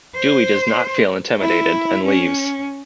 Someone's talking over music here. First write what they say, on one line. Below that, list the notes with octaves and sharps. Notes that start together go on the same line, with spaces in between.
Dewey does not feel intimidated and leaves.
C5
E4
C#4